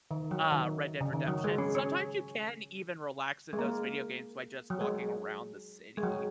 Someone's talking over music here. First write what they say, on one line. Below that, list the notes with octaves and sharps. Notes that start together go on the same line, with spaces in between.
uh, Red Dead Redemption, sometimes you can even relax in those video games by just walking around the city.
D#3
F#3
D#3
C#3
D#3
F#3
G#3
C#4
C#4
G#3
A#3
F#3
G#3
G#3
F#3